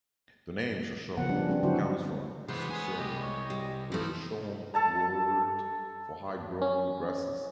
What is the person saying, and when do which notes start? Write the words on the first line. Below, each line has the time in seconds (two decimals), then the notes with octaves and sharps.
The name "Shoshone" comes from "Sosoni", a Shoshone word for high-growing grasses.
1.17 C#3 F3 B3 F#5
1.29 G3 C#4 D4
1.49 G3 B3 C4 D4
1.63 D3 F#3 C#4 E4 F#4 C5
2.48 C3 E3 G#3 B3 C5
2.70 G#4 C#5 G#5
2.99 C2 G4 D#5
3.23 C#5
3.50 G3
3.92 E3 F3 A3 D#4 E4
4.74 A4 A5 A#5
6.62 C#4